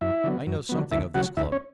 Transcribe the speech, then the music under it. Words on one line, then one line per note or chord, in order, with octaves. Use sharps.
I know something of this club.
F#2 E4 E5
D3 F#3 B3
F#2
D3 F#3 B3
D2 E4 E5
C#3 F#3 F#4 F#5
D2 E4 E5
C#4 C#5